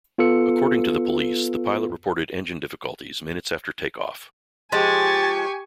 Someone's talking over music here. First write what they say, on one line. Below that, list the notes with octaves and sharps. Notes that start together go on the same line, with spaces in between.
According to the police, the pilot reported engine difficulties minutes after takeoff.
B3 F4 A4 B4 E6 C#7
F3 G#3 G4 G#5 C#6 A6